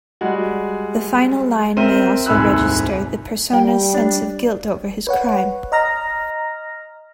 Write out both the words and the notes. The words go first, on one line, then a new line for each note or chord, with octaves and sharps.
The final line may also register the persona's sense of guilt over his crime.
G3 G#3 F#4
C4 A#4 C5 E5 D#7
D#1 C2 G#2 B5 E6 F#6
G3 G5
D4 D5
B4 C#5 F#5
D#5 A#5 F6 A#6